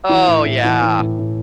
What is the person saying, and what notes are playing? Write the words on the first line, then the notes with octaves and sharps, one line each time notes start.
Oh, yeah.
E3 E4
A2
A2
E3
E3
A2
A2